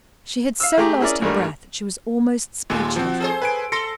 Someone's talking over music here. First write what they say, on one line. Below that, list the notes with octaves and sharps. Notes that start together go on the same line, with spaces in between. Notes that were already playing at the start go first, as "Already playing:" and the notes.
She had so lost her breath that she was almost speechless.
F5 E6
A3 G4 G#4 A#5 D6
C#4 E4 G#4 A#4 C#5 D5
G#1 G2 G3 A3 A#4
D#2 A#2 G3
F3 C4 F#4
G#4 A4 C5
B4 G#5 D7
A4 C6 A#6 C#7